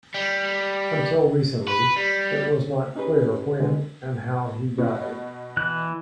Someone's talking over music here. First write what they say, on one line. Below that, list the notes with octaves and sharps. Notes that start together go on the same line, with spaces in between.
Until recently, it was not clear when and how he died.
G3
B4
G3
C#4 D#4 G4 G#4 B4
D3 D#3 G#3 D4 D#4
B2
E3 F#6